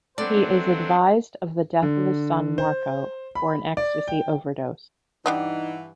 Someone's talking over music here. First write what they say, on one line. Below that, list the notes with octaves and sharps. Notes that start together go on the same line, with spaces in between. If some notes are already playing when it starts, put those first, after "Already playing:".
He is advised of the death of his son Marco for an Ecstasy overdose.
F#3 A3 B3 C4 D4 C5 D5
D3
C5
B5
D5
G5
G2 E3 G3 D4 D#4 D#5 F#5